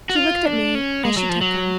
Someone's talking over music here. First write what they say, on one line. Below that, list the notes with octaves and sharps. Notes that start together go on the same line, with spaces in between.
She looked at me as she took them.
F#4
F4
D4
C#4
G#3
F#3
F3
F#3